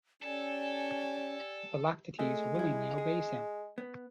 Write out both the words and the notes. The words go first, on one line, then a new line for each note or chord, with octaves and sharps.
Philoctetes willingly obeys him.
C#4 G4 A4 D5 G#5
G#3 A3
G3 E4
G#4
B3